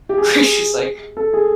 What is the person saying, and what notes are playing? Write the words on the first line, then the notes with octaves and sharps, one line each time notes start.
Where she's, like
G4
G#4
A4
G#4